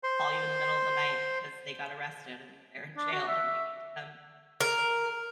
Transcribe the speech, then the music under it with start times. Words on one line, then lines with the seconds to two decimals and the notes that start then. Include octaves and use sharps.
call you in the middle of the night because they got arrested and they're in jail and you need to come
0.03 C5 C6
2.97 D4
3.12 F#4
3.28 E5
4.61 A#4